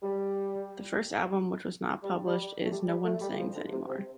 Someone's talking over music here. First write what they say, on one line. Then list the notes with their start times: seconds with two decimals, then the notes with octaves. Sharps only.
The first album, which was not published, is: “Nobody Sings Anymore”.
0.02 G3
2.03 G3
2.26 G3
2.65 A3
2.70 G3
2.87 G3
3.04 A3
3.21 G3
3.37 F3
3.54 D3
3.70 C3
3.87 C3